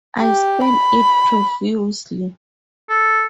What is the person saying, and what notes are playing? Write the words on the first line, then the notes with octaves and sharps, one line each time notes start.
I spent it profusely.
G4
B5
A4